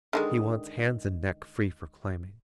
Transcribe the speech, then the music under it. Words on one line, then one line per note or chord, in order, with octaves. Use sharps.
He wants hands and neck free for climbing.
D3 D#3 G#3